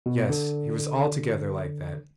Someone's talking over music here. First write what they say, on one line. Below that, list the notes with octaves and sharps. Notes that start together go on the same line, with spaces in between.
Yes, he was altogether like that.
B2
D3